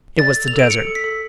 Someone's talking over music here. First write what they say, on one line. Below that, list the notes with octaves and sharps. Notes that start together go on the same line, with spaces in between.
It was the Desert!
D5 A6
A4
F7
A4
D7
A4 C#7
A4
B6
A4